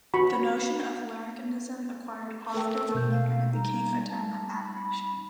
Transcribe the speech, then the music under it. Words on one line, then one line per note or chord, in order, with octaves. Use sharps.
The notion of larrikinism acquired positive meaning and it became a term of admiration.
F#4 B5 C#6
A3 A4 A#4 G5
B2 G6
F5
G3 D#4 A#5
A5
B5